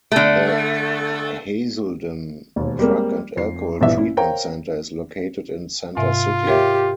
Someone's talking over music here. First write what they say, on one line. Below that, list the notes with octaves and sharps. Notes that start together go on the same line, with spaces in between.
The Hazelden drug and alcohol treatment center is located in Center City.
D3 A3
E1 D#2
G3 G#3 A#3 C4
F2 C7
A#1 G2 E3 B3 E5
C#4 E4
A#4 C5 C#5 F5 G5 A#5
G#2 C3 F4 E5
G4 A#4 C#5 E5